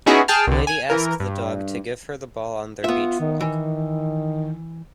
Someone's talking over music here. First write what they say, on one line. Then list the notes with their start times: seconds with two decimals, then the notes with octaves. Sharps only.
The lady ask the dog to give her the ball on their beach walk.
0.06 B3 C#4 D#4 E4 F#4 G#4
0.28 G#4 G5 A5 F6
0.47 C2 D3
0.67 G#5
0.90 E3 A#4
1.20 G2
2.84 B3 F4 E5
3.20 D#3
3.41 E3